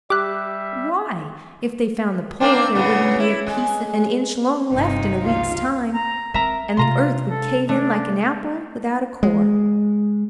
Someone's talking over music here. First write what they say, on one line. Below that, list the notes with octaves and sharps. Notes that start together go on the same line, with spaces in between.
Why, if they found the Pole, there wouldn't be a piece an inch long left in a week's time, and the earth would cave in like an apple without a core!
G3 G4 E5 D6 F#6
A#3 C4 D4
A2 C#3 B3
E4
G#3
G1 C3 D#4
C#2 F4 F5
A#5
C4 A#4 E5 A#5
C3 F4 A#5 C6
A4
A3 D4
G#3